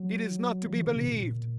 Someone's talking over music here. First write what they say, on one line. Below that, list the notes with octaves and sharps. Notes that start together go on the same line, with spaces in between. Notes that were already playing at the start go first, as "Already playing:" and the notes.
It is not to be believed!
Already playing: F#3
F3
D#3
C#3
B2
A#2